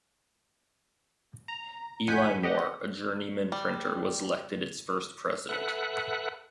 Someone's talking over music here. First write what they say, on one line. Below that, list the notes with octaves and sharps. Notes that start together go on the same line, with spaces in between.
Ely Moore, a journeyman printer, was elected its first president.
A#5
G#1 F2 F#5 G#5 G6 B6
G4 D#5 F#5
G3
A4 B4 E5 F#5 F#6